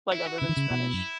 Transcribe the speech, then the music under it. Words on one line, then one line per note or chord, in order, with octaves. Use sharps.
Like other than Spanish?
E4
F#4
C#3 E4
D#3
C#3
B2
F#2